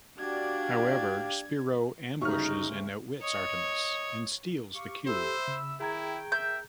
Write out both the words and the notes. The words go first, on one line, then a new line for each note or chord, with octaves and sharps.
However, Spiro ambushes and outwits Artemis and steals the Cube.
D4 F#4 G4 D5 F5 G#6
D2 G2 C#3 D#4 C#6 F6
C#5 D#5
G4 F5 C#6
G4 A4 C5 E5 B5 E6
C#3
D#3 E4 G#4 G5 A#5 G#6
E5 G6